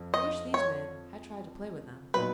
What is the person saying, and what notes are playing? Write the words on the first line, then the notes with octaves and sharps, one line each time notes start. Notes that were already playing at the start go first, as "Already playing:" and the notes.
I wish these men had tried to play with them.
Already playing: F2 F3
D#5
C#5
A#2 F#3 B3 D#4 B4